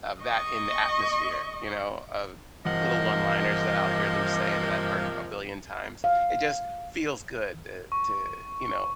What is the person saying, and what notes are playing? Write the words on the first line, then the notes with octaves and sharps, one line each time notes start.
of that in the atmosphere, you know, of little one-liners that I'll hear them say that I've heard a billion times. It just feels good to to, you know,
D#5 C#6
G2 C3 E3 F3 A#3 D#5 F#5
F5
C#6